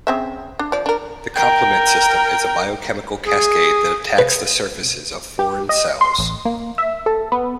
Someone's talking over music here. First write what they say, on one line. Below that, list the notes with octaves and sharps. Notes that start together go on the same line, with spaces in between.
The complement system is a biochemical cascade that attacks the surfaces of foreign cells.
C#3 C4 E5
D4
F3 D5
D4 A#4
A#4 G5
G#4
B4
G4
D#5
C6
A1
A#3
E5
A4
B3